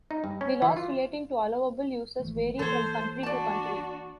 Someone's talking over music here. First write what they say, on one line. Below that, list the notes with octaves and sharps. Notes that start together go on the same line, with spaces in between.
The laws relating to allowable uses vary from country to country.
D#4
G2
C#4
E3
F4
G#1 E3 A3
E3 A#3 A4 C5 C#5
D4 F#4 D5 A5